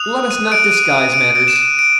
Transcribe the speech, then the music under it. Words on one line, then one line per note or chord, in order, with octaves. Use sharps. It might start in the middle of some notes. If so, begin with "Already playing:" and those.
Let us not disguise matters.
Already playing: D#6 F#6 F7
D#7
D7
D#7
D#7
D7
D7
E7
D#7
D7